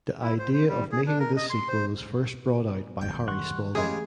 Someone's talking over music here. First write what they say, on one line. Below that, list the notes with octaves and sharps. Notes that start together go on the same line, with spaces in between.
The idea of making this sequel was first brought out by Harry Spalding.
E4
C5
C5
G3
G#4
D4
A#4
D#5
C6
C5
F#1 D#2 B2 G5
F#2 D#3 G3 F#5 C6 C#6
C#3 E3 F3 G#3 A3 G4 G#4